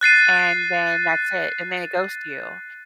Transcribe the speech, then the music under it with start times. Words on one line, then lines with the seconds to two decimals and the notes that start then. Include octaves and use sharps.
and then that's it, and they ghost you.
0.01 F#6 A6 C7 D#7